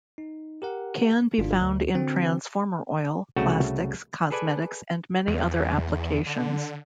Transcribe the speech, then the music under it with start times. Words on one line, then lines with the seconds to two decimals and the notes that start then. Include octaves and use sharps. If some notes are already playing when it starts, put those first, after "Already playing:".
Can be found in transformer oil, plastics, cosmetics, and many other applications.
0.18 D#4
0.62 G4 A#4 F#5
1.38 G#1 G#2 D4 F4
1.61 D2
1.95 D3 C4 F#4
3.36 C2 C#3 A3 F#4 C#5 G5
4.30 G#4 A4 B4 D5 G#5
5.27 E2
6.26 D3